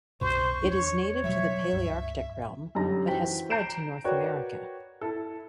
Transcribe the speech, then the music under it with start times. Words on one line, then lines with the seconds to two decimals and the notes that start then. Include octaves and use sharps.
It is native to the Palearctic realm but has spread to North America.
0.21 C2 F#2 B2 C5 C#6
0.64 E2 D4 C#5
1.24 B2 F#3 G3 E5
1.73 C#2 G2
2.75 F#2 D3 G3 D#4 A#5 A#6
3.07 E3 F#4 C5 G5 B6
3.50 A#5 G6 C7 D7 E7
4.04 F#4 A#4 B4 C#5 D5 G5
5.01 E4 A4